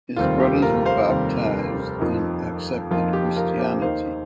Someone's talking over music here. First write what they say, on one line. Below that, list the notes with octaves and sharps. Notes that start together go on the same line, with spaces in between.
His brothers were baptised and accepted Christianity.
F1 D#2 D#3 G3 C4 F4
G4
F4 A#4
C5 F5
F1 D#2 D#3 G3 C4
F2 F3 A#3 D#4
F2 F3 A#3 D#4 F4
G4
F4 A#4
G4 C5
D#2 D#3 A#3 D#4 C5 F5